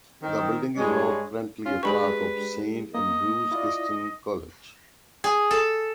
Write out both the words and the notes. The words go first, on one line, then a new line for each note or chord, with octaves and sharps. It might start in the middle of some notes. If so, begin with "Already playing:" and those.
The building is now currently a part of Saint Andrews Christian College.
D#3 C4
G2 G#3 C#5
C#4 F4
G#3 D4 G4 G#4 B4 B5 C#6
A#3 D#5
E4 F4 D5
G#4
A4